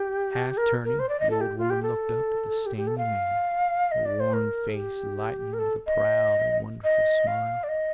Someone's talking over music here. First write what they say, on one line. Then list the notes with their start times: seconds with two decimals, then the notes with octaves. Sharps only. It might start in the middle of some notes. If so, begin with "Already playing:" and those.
Half turning, the old woman looked up at the standing man, her worn face lighting with a proud and wonderful smile.
Already playing: G4
0.57 A#4
0.85 A#4
0.99 C5
1.09 D5
1.20 D#5
1.30 A4
1.41 G4
1.58 F4
1.70 G4
1.83 A4
2.66 G4
2.77 G4
2.87 A4
2.98 F5
3.92 D#5
4.05 D5
4.20 C5
4.33 A#4
4.75 G4
5.53 A#4
5.59 A4
5.87 D#5
6.84 D#5
7.27 F5
7.63 D5
7.69 D#5